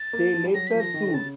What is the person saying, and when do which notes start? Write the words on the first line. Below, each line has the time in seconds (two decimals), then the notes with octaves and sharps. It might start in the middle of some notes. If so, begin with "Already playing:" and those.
They later sued.
Already playing: A6
0.13 A#3
0.34 F3
0.45 G3
0.54 F#3 A#6
0.67 B6
0.75 F3
0.80 A#6
0.94 D#3
1.07 D3
1.14 C#3 A6